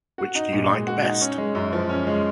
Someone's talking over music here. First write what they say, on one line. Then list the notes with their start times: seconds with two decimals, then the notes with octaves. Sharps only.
Which do you like best?
0.18 F#4
0.35 D#4
0.52 A#2
0.70 G#3
0.87 F#4
1.04 D#4
1.21 C#4
1.38 G#3
1.55 F#2
1.73 F3
1.89 C#4
2.07 G#3